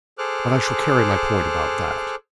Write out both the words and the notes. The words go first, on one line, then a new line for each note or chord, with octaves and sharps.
But I shall carry my point about that.
G#4 A4 C5 D6 F6 F#6